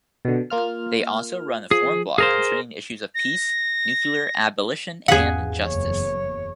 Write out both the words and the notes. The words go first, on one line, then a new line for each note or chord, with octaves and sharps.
They also run a forum blog concerning issues of peace, nuclear abolition, and justice.
B2 D3
A#3 F4 F6
F3 G#4
G#4 A#4 C5 F5
A#6
G#1 E2 G#4 F5 F#5
F#1 E2 C#5